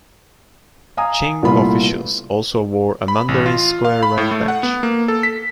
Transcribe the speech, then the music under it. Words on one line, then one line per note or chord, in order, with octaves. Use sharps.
Qing officials also wore a mandarin square rank badge.
F5 G#5 A#5 D#6
C2 A#2 A3 B3 F4 B5
B5
A1
F4
F5
B5
A2
A3
F#5
B3
A#3
A4
B6